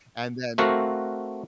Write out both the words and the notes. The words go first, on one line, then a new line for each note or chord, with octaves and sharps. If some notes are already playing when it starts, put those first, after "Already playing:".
And then
A3 C4 F#4 A#4 F5 F#5